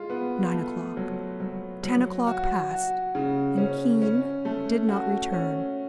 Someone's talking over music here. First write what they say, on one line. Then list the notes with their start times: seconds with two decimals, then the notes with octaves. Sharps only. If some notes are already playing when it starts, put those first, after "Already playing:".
Nine o'clock, ten o'clock passed, and Keene did not return.
Already playing: G#3 F4
0.10 B3
0.53 A3
0.97 F#3
1.40 F#3
1.83 F#3
2.27 F#4
2.71 F#4
3.15 C#3
3.58 C#4
4.02 C#4
4.45 A3
4.89 F#4
5.32 C#4